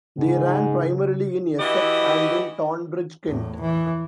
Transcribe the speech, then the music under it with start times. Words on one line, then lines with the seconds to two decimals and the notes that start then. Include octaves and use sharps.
They ran primarily in Essex and in Tonbridge, Kent.
0.18 G#2 C#3
1.59 E3 E4 F#4 G4 D#5
3.26 E2 A2
3.60 E3